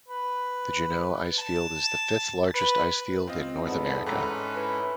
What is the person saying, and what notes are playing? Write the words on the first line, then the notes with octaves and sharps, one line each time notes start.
The Juneau Icefield is the fifth largest icefield in North America.
B4
A5
B4
C4 F4 D#5
E2 G#2 A3 B3
G#2 C#4 A4 B4 G5 A#5
E4 B4